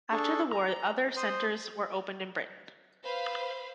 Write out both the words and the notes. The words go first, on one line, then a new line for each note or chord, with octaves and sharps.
After the war other centres were opened in Britain.
D4 G#4 A4 C#6
A#5
C5 C6 D#6
B4 C5 F5 B5